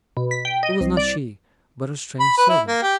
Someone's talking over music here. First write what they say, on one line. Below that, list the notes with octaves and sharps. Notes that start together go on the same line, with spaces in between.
It was not she, but a strange servant.
B2
B6
G5
D#5
C2
D5
B5
B4
E4
A#3
G4